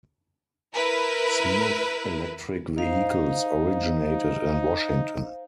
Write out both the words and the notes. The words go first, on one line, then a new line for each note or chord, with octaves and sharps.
Smith Electric Vehicles originated in Washington.
E4 A#4 B4
D#4 C5 F5